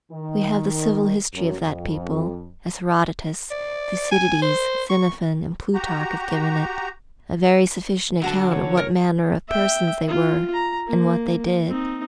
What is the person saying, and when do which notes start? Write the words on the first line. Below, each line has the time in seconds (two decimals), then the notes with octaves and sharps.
We have the civil history of that people, as Herodotus, Thucydides, Xenophon, and Plutarch have given it; a very sufficient account of what manner of persons they were and what they did.
0.12 D#3
1.34 F#2
1.65 F2
3.51 D5
4.11 G#5
4.42 C5
4.90 C#6
5.74 F#4 G4 A#5
8.22 D3 F#3 F#4 A5
8.52 C#5
8.77 A#4
9.48 E5 G5
10.08 F4
10.54 A#5
10.87 A#3
11.68 C4 D#4